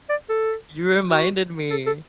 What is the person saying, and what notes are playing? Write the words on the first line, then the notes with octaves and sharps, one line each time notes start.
You reminded me.
D5
A4
F#4
A4
A4